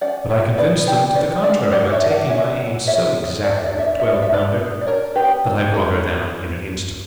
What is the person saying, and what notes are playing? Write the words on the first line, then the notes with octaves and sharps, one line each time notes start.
But I convinced them to the contrary by taking my aim so exactly with a twelve-pounder, that I brought her down in an instant.
C#4 D5 F#5
F#3 C#5 E5
B3 B4 D5
D4 G4 B4
G3 B4 D5
C#4 D5 F#5
B3 D5 F#5
C#5 E5
D4 E5
D5 F#5
C#4 C#5 E5
F#3
G3 C#5 E5
B3
A#3 D5
E5
D5
D4
E5
D5
B3 E5
D5
E5
D4 B4 D5
B3
D5
D4 A#4 C#5
B3 G4 B4
D4
C#4 F#4 A#4